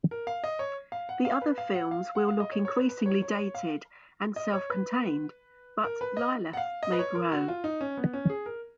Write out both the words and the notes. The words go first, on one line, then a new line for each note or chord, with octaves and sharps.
The other films will look increasingly dated and self-contained, but "Lilith" may grow.
A#4
F5
D#5
C#5
F5
F#5
F5
B4
F5
F#5
F5
F#5
F5
D#5
C#5
C#5
B4
B4
C#5
C#5
C#5
F5
D#5
C#5
B4
A#4
B4
D#5
F#5
F5
D#5
B4
C#5
A#4
F#4
F4
D#4
C#4
B3
C#4
G#4
A#4